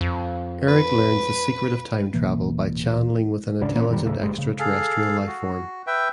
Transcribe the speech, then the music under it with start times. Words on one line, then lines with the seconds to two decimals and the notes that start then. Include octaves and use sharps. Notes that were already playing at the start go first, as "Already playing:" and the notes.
Eric learns the secret of time travel by channeling with an intelligent extraterrestrial lifeform.
0.01 F2
0.68 B4
2.13 D1 B2 E3 A#3
3.60 D1 G#1 C#3 D4
3.75 G1 E3 A#3 C#4
3.89 F#2 D#3 G3
4.04 D#2 G#2 C#3 A3
4.20 G1 G2 G#3
4.38 C#3
4.59 G#4 A4 F5
5.27 F#4
5.87 B4 E5 G5